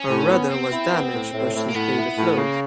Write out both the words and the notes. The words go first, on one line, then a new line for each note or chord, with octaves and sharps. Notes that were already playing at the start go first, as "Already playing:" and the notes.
Her rudder was damaged but she stayed afloat.
Already playing: C#4
A2
B3
B3 C4
E4
B3
A2
A2
A2
A#3
A2 B3
E4
A2
C#3 A#3